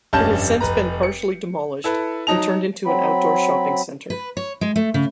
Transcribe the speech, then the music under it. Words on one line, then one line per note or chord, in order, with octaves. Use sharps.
It has since been partially demolished and turned into an outdoor shopping center.
F1 G2 C#4 A5 G6 E7
F1 B4 A#5
C#7
E4 A4 B4
F#3 D#4 A5 F7
F#3 C4 B5
B4
C#5
G#3
A3
C#3